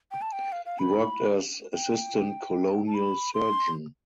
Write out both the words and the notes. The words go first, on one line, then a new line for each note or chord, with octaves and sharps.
He worked as Assistant Colonial Surgeon.
G5
A5
G5
F5
F5
B5
G5
A5
B5
C6